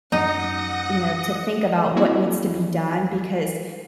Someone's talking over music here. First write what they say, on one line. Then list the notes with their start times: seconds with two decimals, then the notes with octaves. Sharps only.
you know, to think about what needs to be done because,
0.12 F#2 D#4 F#5 D#6 A#6
1.95 A#3 C4 E4 F#4 G#4